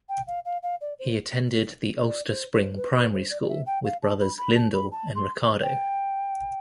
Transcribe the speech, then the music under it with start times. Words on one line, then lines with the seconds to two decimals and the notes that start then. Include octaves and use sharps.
He attended the Ulster Spring primary school with brothers Lindel and Ricardo.
0.09 G5
0.27 F5
0.45 F5
0.63 F5
0.81 D5
0.99 C5
2.05 D5
2.29 C5
2.53 C5
2.76 B4
2.95 B4
3.13 C5
3.30 D5
3.42 D5
3.49 E5
3.66 G5
3.84 F5
4.02 A5
4.20 B5
4.37 B5
4.55 A5
4.73 B5
4.91 A5
5.15 C6
5.63 G5